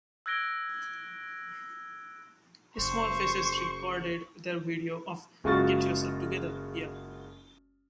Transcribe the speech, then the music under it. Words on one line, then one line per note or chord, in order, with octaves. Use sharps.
The Small Faces recorded their video of "Get Yourself Together" here.
E6 F#6 G#6 A#6 D7 G7
F#1 C5 C#6
F#1 G#3 F4 F#4 C#6 A6